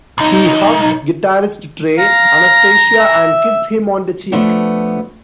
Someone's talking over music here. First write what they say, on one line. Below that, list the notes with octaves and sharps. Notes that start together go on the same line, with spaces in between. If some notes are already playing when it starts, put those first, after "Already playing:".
He hugged guitarist Trey Anastasio and kissed him on the cheek.
B1 D#4
F5 A#5
E5
F3 A3 B3 D4